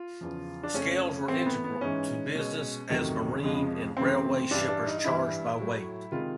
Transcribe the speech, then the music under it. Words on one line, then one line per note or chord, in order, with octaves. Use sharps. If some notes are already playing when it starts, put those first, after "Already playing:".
Scales were integral to business as marine and railway shippers charged by weight.
Already playing: F4
E2 C#3 F3
D4
F2 C#3 F3 A3 C#4
A2 E3 A3 C4
B3
B3
G#2 E3 G#3 C#4
B2 G#3
E2 C3 D#3 F#3 A3
F2 C3 F3 G#3
F#2 C#3 E3 A3 C4
G2 E3 G3 D4
D4
D#4
D#4
G2 E3 G3 E4
A2 F#3 A3
C3 D#3 G#3 F4